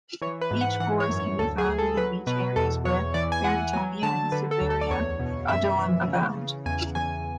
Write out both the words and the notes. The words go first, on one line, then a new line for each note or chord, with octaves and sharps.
Beach forest can be found in beach areas where Barringtonia and Cerbera odollam abound.
E3 C#5
B4
G#2
F#5
E3 F#5
C#5
F#2
C#5
D2 A4
G#4
D2
A4
F#3 B4
B2 B4
E2 A4
E2 C#5
E3 D5
G#5
E3 F#5
F#3 G#5
D3 A5
D3 B4
A4
D2
A4
D5
E2 C#5
B2
F#2 E5
E3
C#3
C#3
E2 G#5
E2 G#5